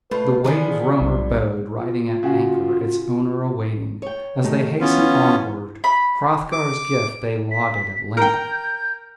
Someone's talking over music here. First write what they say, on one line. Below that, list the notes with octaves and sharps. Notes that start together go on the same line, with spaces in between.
The wave-roamer bode riding at anchor, its owner awaiting. As they hastened onward, Hrothgar's gift they lauded at length.
A2 A3 F4 B4
D3 D#3 F3 B3 G#4
B1 G2
F4
C#3 F#4
C#5 G5
D#3 A3 G4
E3 B3 C#4 F4
B5
D6
B6
A#4 G5 G6